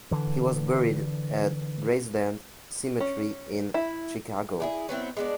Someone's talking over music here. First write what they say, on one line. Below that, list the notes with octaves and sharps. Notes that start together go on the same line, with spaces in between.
He was buried at Graceland Cemetery in Chicago.
D3 E3
C#4
E4
D4 E4 G#4
F#3 B3 C4 E4
G#3 B3 D4